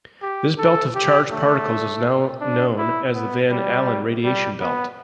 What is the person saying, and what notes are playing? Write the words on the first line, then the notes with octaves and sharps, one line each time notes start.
This belt of charged particles is now known as the Van Allen radiation belt.
G4
A4
G4
A3
D4
E4
B3
G3
G3
B3